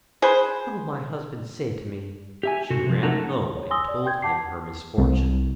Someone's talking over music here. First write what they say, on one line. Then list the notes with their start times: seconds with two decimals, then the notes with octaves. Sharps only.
'What will my Husband say to me?' She ran home, and told him her misfortune.
0.22 G#4 B4 C5
2.43 G4 E5 G#5
2.70 C3 F#4 A4
2.87 C3 F3
3.03 A3 C#4 D#4 A4 A#4 F#5
3.57 C#5
3.71 G#5 C6 D#6 E6 A#6 G7
3.88 D5
4.05 G5 C6 G6 G#6
4.22 F#5 A5 D6 C7
4.98 C2